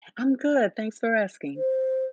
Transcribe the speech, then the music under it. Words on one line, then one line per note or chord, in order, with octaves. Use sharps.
I'm good, thanks for asking.
C5